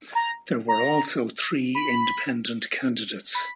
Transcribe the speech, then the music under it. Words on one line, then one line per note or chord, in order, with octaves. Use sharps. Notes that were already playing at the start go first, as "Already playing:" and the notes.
There were also three independent candidates.
A#5
A#5
B5
B5